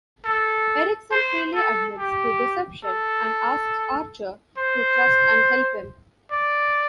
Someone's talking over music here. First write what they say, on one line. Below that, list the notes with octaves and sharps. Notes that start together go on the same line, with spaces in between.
Erickson freely admits the deception, and asks Archer to trust and help him.
A4
C5
A4
G4
A4
C5
D5